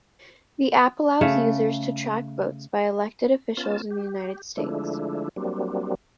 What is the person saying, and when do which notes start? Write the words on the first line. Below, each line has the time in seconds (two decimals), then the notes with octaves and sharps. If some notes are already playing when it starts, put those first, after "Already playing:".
The app allows users to track votes by elected officials in the United States.
1.21 C#3 A3
3.57 B3 C#4 F4 A5
3.91 G4
4.57 D3 F3 G#3 A3 D4 E4
5.36 F#3 G3 A#3 C4 D4